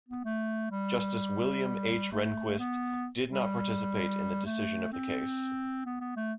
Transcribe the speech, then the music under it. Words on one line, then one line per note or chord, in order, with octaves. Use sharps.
Justice William H. Rehnquist did not participate in the decision of the case.
B3
A3
G3
A3
B3
G3
A3
C4
B3
B3
A3